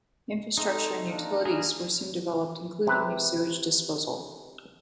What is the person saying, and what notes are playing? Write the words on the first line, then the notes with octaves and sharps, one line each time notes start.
Infrastructure and utilities were soon developed including new sewage disposal.
G#3 A3 C4 D#4
A#3 D4
G3 D4 G#4 A#4
C3 B4